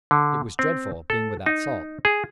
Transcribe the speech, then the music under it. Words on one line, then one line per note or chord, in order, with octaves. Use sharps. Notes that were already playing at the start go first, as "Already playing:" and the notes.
It was dreadful, being without salt.
D3
C4
A4
D#4
G#4